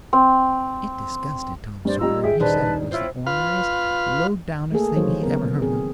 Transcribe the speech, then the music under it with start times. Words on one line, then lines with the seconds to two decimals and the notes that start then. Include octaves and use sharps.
It disgusted Tom Sawyer, and he said it was the orneriest, low-downest thing he ever heard of.
0.13 C4
1.85 G2 C5 D5
2.00 G3 D#4 F4 A#5 E6
2.24 G#4 E5 G5
2.40 D#1 D#3 D4 D#4 B4 C5 A5
2.91 C4 E4 F4 C#5
3.26 F4 B4 F5
4.72 A3 A#3 G#4 A4
4.95 D#3 E3 F#3 D#4 C5 C#5
5.23 C#3 B3 A#4
5.62 C4 G#4